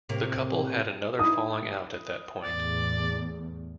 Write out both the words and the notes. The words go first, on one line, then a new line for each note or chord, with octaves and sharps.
The couple had another falling out at that point.
A2 C3 A#3
D#4 E4 D#6
E2 A2 D5